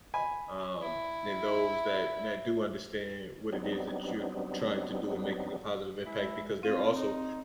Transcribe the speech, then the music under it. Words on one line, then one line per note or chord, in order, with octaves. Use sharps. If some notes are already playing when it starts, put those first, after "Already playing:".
Um, and those that that do understand what it is that you're trying to do in making a positive impact, because they're also
G#5 B5
E4
F#3 G3 B3 C4 D4 D#4
G#3 E4
C4 F4
D#4